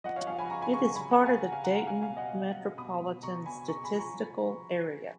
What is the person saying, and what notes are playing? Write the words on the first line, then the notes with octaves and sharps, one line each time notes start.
It is part of the Dayton Metropolitan Statistical Area.
F3 D#5 F#5
C#5 F5
F3 F5 G#5
G#5 B5
C#3 A#5 C#6
G#5 B5
C#3 A#5 C#6
A#5 C#6
F#3 G#5 B5
F#5 A#5
C#3
F5 G#5
C#3 F#5 A#5
F5 G#5
C#3 F#5 A#5
F#5 A#5
F#3 F5 G#5
F5 G#5
B2
D#5 F#5
F#3
F#3
B2 B5 D#6
F#3
B2 A#5 C#6
B2 G#5 B5
C#3 A#5 C#6
G#5 B5
F3
A#5 C#6
F3